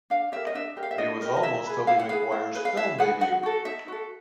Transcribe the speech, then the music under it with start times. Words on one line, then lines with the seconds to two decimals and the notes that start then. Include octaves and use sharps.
It was also Tobey Maguire's film debut.
0.10 D4 F5
0.32 G4 A#4 E5
0.47 D#5
0.55 D4 E5
0.77 G4 A#4
0.83 F5
0.91 E5
0.98 D4 D#5
1.21 G4 A#4 D#5
1.36 D#5
1.43 E4 E5
1.66 G#4 B4
1.87 E4 F5
1.99 F#5
2.09 G#4 B4 F5
2.32 E4
2.55 G#4 B4
2.65 F5
2.76 E4 E5
2.98 G#4 B4 F#5
3.21 D#4 F#5
3.43 F#4 A4
3.65 D#4 E5
3.88 F#4 A4